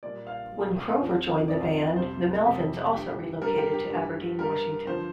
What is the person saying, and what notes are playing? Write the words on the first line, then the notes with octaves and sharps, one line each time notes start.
When Crover joined the band, the Melvins also relocated to Aberdeen, Washington.
A#2 G3 D5
F5
A#2 G3
F2 F3
F2 F3 D5
F2 C3 G3 C5
F2 C3 G3 G4
G2 G3 G4
G2 G3 A#4
G4
G4
G2 G3
G2 G3 A#4
G2 D3 F3 C5